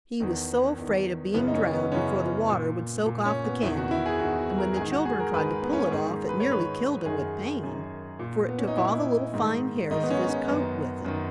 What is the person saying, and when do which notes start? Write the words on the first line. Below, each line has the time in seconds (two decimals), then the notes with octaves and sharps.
He was so afraid of being drowned before the water would soak off the candy and when the children tried to pull it off it nearly killed him with pain, for it took all the little fine hairs of his coat with it.
0.20 E2 D#3
0.78 E2 D#3
1.34 F#2 C#3 E3 B3
1.47 D#4
1.54 C#4
1.73 B3
1.92 F#2 C#3 E3 C#4
2.49 A#2
3.06 A#2
3.25 C#4
3.44 B3
3.62 E2 D#3 E4
3.77 F#4
3.91 E4
4.06 G#4
4.19 E2 D#3 F#4
4.39 F#4
4.58 A#4
4.77 G#2 D#3 G#4
4.92 F#4
5.05 G#4
5.20 A#4
5.34 G#2 B4
5.38 D#3
5.63 B3
5.73 C#4
5.91 G#2 G#4
5.96 D#3
6.29 B4
6.40 C#5
6.48 G#2 D#3 B4
7.06 F#2 D#3 G#4
7.63 F#2 D#3
8.19 A#2
8.49 B3
8.58 C#4
8.67 D#4
8.77 A#2 E4
9.34 G#2 D#3
9.91 G#2 D#4
9.94 D#3
10.03 B3
10.10 C#4
10.29 C#4
10.48 F#2 D#3 B3
11.05 F#2 D#3